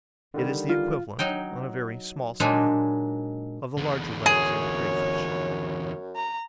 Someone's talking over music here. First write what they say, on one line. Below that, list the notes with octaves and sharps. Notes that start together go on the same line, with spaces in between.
It is the equivalent, on a very small scale, of the larger legs of the Crayfish.
D3 D#3 G3
F4
F#3 D#4 G5
A#2 F#3 G#3 D4 D#4
E2 D3
F#2 G#4 C#5
A#5